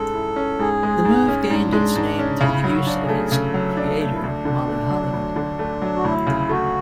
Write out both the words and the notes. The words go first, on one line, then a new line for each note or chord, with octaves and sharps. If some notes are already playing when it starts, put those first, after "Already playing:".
The move gained its name through the use of its creator, Molly Holly.
Already playing: G#2 G#3 C#4 A4
E4
C#4
G#2 G#4
G#3
G#2
C#4
G#2 D4
G#3
G#2
C#4
C#3 E4
F#3
F#4
D4
G#4
A3
C#3 A4
F#3
D4
A3
E4
D2 D4
D3
A3
F#3
D2
D3
A3
F#3
F#4
D2 E4
C#3
A3 F#4